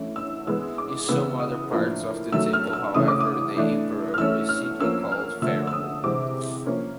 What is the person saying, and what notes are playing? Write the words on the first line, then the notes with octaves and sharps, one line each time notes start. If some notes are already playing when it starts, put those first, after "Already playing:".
In some other parts of the temple, however, the emperor is simply called "Pharaoh".
Already playing: E3 A3 C#4
E6
E3 G#3 B3 E6
D6
C#3 E3 G#3 B3 E6
D#6
A2 F3 A#3 D4
D#3 F#3 A3 E6
F6
E6
C#3 E3 A3 C#4 D#6
D6
D#6
E3 A3 D4
F6
E3 A3 C#4 E6
F6
F3 A#3 C#4 E6
F6
D3 F3 A3 E6
E6
D#6
C3 E3 G#3 C4 D6
F3 A#3 C#4